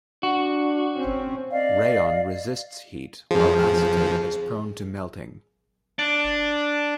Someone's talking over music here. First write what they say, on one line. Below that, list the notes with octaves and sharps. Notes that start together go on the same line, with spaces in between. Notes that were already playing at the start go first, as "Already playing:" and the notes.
Rayon resists heat while acetate is prone to melting.
D4 F#4
C4 C#4
D5 D#5 F5
F2 F3 G#4
D4